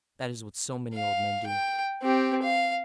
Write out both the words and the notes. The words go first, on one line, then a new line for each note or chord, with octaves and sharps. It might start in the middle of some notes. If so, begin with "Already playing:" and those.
That is what so many old men do.
F5
G5
C4 G4
F5